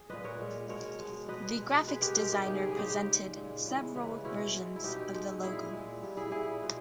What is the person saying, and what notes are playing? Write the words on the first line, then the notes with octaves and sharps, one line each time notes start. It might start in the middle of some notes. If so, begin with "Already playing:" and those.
The graphics designer presented several versions of the logo.
Already playing: G#4
A#2 G#3 B4 D#5
A#4 C#5
A#2 G#3
B2 G#3 A#4 C#5
B2 G#3
B2 G#3 B4 D#5
B2 G#3
B2 G#3 G#4 B4
G4 A#4
B2 G#3 G4 A#4
D#4 G4
C#3 G#3 G4
G#4
G4
G#4
C#3 G#3 D#4 G4
A#2 G#3
A#2 G#3
C#3 E3 G#3
C#3 E3 G#3
B2 G#3 C#4 E4
B2 G#3
E4
B2 G#3 D#4 G4
B2 G#3
A#2 G#3 E4 G#4
A#2 G#3
A#2 G3
E4 G#4
A#2 G3 E4 G#4
B2 G#3